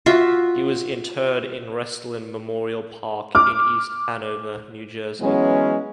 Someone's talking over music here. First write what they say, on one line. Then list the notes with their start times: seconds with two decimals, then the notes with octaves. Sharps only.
He was interred in Restland Memorial Park in East Hanover, New Jersey.
0.06 F4 F#4 E5
3.35 D6 F6
5.21 E3 F#3 G#3 B3 C#4